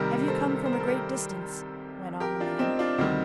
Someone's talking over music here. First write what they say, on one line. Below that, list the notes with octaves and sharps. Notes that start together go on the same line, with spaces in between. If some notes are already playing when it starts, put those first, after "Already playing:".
"Have you come from a great distance?" went on the man.
Already playing: C2 C3 D#3 G3 G4 A#4
A4 C5
C5
A#4
A4
G4 A#4
G4 A#4
D4 F4
C4 D#4
D4 F4
D2 C3 D#3 G3 C4 D#4